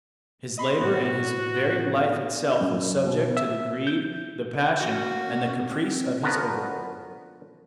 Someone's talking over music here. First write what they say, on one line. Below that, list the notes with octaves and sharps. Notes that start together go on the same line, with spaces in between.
His labor and his very life itself was subject to the greed, the passion and the caprice of his over-lord.
D#5 B5 C6
A2 B3 F#4
F#2
B2
E5
G6
A#3 C#4 F#4
C4
D3 F3 B3 F#4 A#4 B4